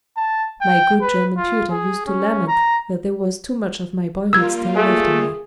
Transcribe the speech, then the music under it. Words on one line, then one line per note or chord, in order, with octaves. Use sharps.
My good German tutor used to lament that there was too much of my boyhood still left in me.
A5
G5
B4
F4
G#4
C#4
A#5
G3 A#3 F4 E6 G#6
A3 G#4